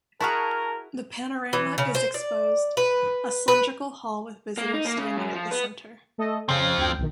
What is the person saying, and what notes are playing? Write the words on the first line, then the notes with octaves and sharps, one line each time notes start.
The panorama is exposed a cylindric hall with visitors standing at the center.
E4 F#4 G#4 A#4 A5 C#6 F6
E3
C#3
C5
D5
B4
B4
A#3
D#4
A#3
C#3
F#2
F3
B3
A3 A4 D#5
C#3 F3 C4
D2 G5
B1 D#3